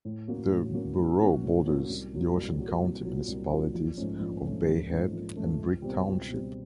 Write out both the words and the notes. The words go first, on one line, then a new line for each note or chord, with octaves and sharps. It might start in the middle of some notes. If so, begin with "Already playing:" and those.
The borough borders the Ocean County municipalities of Bay Head and Brick Township.
A2
F#3 A#3 C#4 F#4
A2
F#3 A#3 C#4 F#4
A2
F#3 A#3 C#4 F#4
A2
F#3 A#3 C#4 F#4
C2
A#2 F#3
C2
A#2 F#3
C2
A#2 F#3
C2
A#2 F#3
A#1
G#2 F3 A3 C#4
A#1
G#2 F3 A3 C#4
A#1
G#2 F3 A3 C#4
A#1
G#2 F3 A3 C#4
C#2
B2 G3 C4
C#2
B2 G3 C4